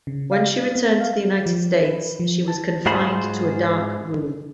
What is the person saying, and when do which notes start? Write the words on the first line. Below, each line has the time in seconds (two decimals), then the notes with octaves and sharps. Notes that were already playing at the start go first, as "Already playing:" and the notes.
When she returned to the United States, she was confined to a dark room.
0.07 C#3
0.32 F5
0.76 B3
1.01 F5
1.46 F3
1.85 B4
2.20 F3
2.48 A5
2.86 G#2 F4 F#4 G#4 C5 B5